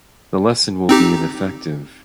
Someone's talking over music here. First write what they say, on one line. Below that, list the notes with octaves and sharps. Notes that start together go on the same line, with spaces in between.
The lesson will be ineffective.
C4 D#4 G4